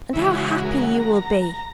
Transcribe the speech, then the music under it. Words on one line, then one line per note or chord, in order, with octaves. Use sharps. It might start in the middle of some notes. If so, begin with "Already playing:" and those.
And how happy you will be!
C#3 E3 G#3 E4
F#4
F#4
A#4
F#5
A#5
A#5
A#5